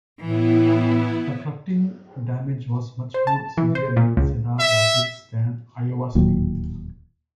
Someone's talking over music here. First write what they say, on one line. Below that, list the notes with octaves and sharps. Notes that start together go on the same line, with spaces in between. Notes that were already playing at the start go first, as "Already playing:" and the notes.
The flooding damage was much more severe in Cedar Rapids than in Iowa City.
A2 E3 B3 E4
C5
A5
E3
C5
A#2
C#2
E5
D1 D#2 A#2 F#3